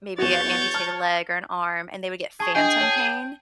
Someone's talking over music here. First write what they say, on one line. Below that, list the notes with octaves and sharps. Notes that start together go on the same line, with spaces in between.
maybe an amputated leg or an arm, and they would get phantom pain,
E2 F#4 C#5 G6 A6
A5 F6
G#4 A5 C#6
D4 G#4 D#5 G5 G#5
C#5 A5